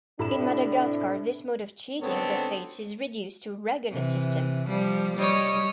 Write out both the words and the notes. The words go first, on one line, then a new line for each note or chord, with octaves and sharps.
In Madagascar this mode of cheating the fates is reduced to a regular system.
A2 C3 D4 B5 E7
G#2 D3 B3 C4 A4 C#5
C3 E3
F3 G3
G3 C#5 D#5